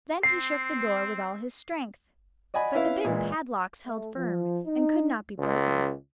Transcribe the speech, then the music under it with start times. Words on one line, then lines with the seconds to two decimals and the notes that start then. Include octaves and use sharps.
Then he shook the door with all his strength; but the big padlocks held firm, and could not be broken.
0.23 C4 C7
2.54 D5 D#5 F#5 G#5 B5
2.74 C#4 E4 B4 F5
3.04 A#2 E3 G#3
3.86 A3
4.15 F3
4.66 D#4
5.38 C#2